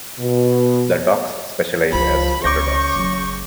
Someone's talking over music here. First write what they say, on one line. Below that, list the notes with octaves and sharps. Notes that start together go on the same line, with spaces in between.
The dogs specialize as water dogs.
B2
C#2 F3 E4 B5
C#2 C#3 C#6 D6 G6 A#6
F#1 F#3